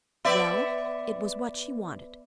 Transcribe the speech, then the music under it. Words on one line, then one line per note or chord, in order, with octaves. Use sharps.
Well, it was what she wanted.
B3 D5 E5